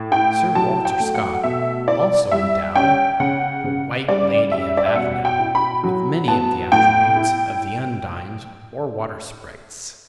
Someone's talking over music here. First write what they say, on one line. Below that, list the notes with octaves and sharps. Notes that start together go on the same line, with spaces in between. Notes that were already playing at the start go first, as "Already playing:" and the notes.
Sir Walter Scott also endowed the White Lady of Avenel with many of the attributes of the undines or water-sprites.
Already playing: A2
E4 G5
F#3 A5
G5
A3
F#5
B2 E5
E4 D5
G3 E5
C#4 G5
C#3 F#5
C#3
G3 D5
C#4 E5
D5
E5
B2 F#5
G5
E4
B5
F#3
B3 A5
A2 G5
E4